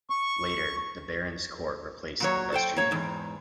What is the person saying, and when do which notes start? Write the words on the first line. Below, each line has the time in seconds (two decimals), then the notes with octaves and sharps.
Later the Baron's Court replaced the Vestry.
0.10 C#6
2.20 A#2 F#3 C#5
2.52 A4 C5 G5
2.76 A#3 C#5
2.91 E2 G#2